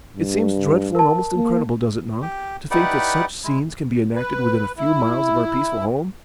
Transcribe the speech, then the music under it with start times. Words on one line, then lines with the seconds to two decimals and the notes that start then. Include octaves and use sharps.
It seems dreadful and almost incredible--does it not?--to think that such scenes can be enacted within a few miles of our peaceful home.
0.17 G2
0.95 A#4 A5
1.36 A#3
2.22 G4
2.71 D#4 E4 G4 B4 D5 F#5
3.44 G#3 E4
4.15 B4
4.77 E4